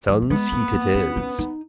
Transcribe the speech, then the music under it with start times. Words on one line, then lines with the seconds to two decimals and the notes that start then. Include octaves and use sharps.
Sun's heat it is.
0.08 F3
0.22 A#3
0.30 G#3 B3
0.52 A#3
0.73 A#3
0.95 C#4
1.17 C#4
1.39 D#4